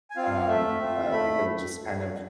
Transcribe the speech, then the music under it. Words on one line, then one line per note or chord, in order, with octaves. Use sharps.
um, uh, because it just kind of
G#5
C4 F4 F5
A3 E5
C4 F4
A3 B5